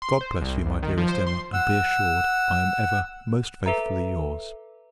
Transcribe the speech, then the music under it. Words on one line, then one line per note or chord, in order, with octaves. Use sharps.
God bless you, my dearest Emma; and, be assured, I am ever most faithfully your's.
C6
C5
C2
C2
D#3
F3
C5
C6
F#5 E6
A4 B4 E5 A#5